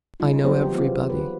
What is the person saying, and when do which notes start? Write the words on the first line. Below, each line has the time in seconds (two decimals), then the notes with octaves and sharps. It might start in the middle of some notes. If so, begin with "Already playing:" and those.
I know everybody.
0.20 G3 D#4 F4
0.45 F#3 B3 C4 D4 G4 C5
0.62 D#3 E3 G4
0.74 G#3 B3 F4
1.10 B4